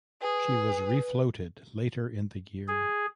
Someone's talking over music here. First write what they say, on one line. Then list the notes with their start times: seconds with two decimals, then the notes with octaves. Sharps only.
She was refloated later in the year.
0.22 G#4 B4
2.68 G#4